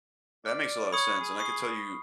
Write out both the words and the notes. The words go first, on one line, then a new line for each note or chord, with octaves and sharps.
That makes a lotta sense, and I could tell you-
D5 F6
C#5 B5 C#6 D#6
G#4
C#6 D#6 C7